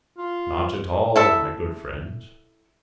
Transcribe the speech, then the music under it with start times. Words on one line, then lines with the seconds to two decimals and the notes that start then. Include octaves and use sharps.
"Not at all, my good friend."
0.18 F4
1.16 E4 A4 E5